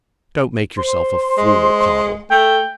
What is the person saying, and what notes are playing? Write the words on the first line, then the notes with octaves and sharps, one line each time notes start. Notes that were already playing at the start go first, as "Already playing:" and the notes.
"Don't make yourself a fool, Caudle."
C5
G#3
A3 G5